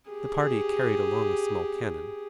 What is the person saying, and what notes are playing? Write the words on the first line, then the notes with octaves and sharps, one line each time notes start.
The party carried along a small cannon.
G4 G#4